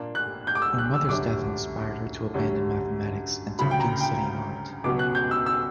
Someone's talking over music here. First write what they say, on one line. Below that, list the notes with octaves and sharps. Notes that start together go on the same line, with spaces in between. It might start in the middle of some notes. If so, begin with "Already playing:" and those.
Her mother's death inspired her to abandon mathematics and to begin studying art.
Already playing: A#2 A#3 D4
F#6
G6
D6
E6
F#6
E6
F#2 D3 G3 C#4 D6
F#2 D3 G3 C#4
D2 C#3 F#3 B5
G5
A#5
G5
C#2 B2 F#3 D6
F#6
G6
E6
E6